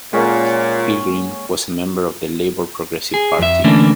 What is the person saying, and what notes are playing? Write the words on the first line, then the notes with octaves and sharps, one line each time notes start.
Pilgrim was a member of the Labour Progressive Party.
A#2 G#3 A#3 C#4 F#5
G#4
F2 E5
D3 E3 A3 A#3 C#4 D4